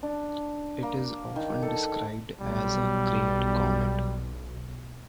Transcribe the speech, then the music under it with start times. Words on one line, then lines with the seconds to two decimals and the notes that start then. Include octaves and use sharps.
It is often described as a "great comet".
0.03 D4
0.83 A#3
1.36 D#3
1.62 A4
2.41 B1 G3